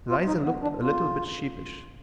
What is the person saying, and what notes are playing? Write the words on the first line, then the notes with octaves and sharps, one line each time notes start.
Eliza looked a little bit sheepish.
F4
D#4
B3
D4
F4